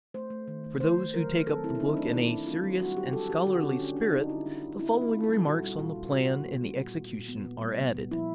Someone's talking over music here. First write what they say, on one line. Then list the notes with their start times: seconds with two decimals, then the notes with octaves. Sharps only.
For those who take up the book in a serious and scholarly spirit, the following remarks on the plan and the execution are added.
0.14 A3 C5
0.30 A3
0.48 D#3
0.64 A3
0.80 A3 C5
0.97 A3
1.14 F#3 A#4
1.30 D#3
1.47 C4 A4
1.64 C4 E4
1.75 E4
1.80 C4 D#4
1.96 A3 D4
2.13 D#3 E4
2.30 D#3
2.47 C4 F4
2.64 F#3
2.80 G3 F#4
2.96 G3 G4
3.13 G3 A4
3.30 G3 G4
3.46 D3 F#4
3.63 D3 C#4
3.80 D3 D4
3.96 D3 D4
4.12 D3 D#4
4.29 D3 E4
4.46 D3 D4
4.63 D3
4.79 C4 E4
4.96 D3
5.01 F4
5.13 C4
5.24 A4
5.29 G3
5.45 A#2 F#4
5.62 G3
5.79 A#2 F4
5.95 A#2
6.12 A#2 F#4
6.29 G3
6.45 B3
6.62 G3
6.79 A#2
6.95 G3
7.12 A#2
7.29 B3
7.45 A#2
7.62 G3
7.79 B3
7.95 A#2
8.11 F3 E4